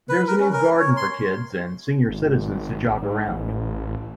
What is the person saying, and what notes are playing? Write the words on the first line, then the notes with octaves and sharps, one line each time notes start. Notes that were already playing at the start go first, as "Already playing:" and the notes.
There is a new Garden for kids and senior citizens to jog around.
B4
A#4
C#4
A#4
C#5
C6
G#1
G#2
A1